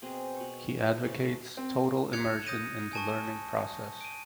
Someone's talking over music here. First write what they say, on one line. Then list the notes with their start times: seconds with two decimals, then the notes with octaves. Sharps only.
He advocates total immersion in the learning process.
0.02 B2 C4 G#4 D#5
0.36 B2 C#6
0.77 F3
1.03 C#3 E3 A4 A5
1.57 C4
2.13 F#6 G#6 C#7 F7
2.46 D#6 G6 A#6 D#7
2.93 G#5 A5 C#6
4.01 D7 D#7